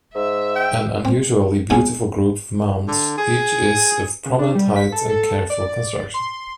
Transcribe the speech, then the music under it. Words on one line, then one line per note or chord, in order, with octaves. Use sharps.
An unusually beautiful group of mounds, each is of prominent height and careful construction.
G#2 E5
G5
C4
A3 B3 C#4 E4 G#4
D3
G#4
C#3
D4
G3
B6
A4
A4
D5
C6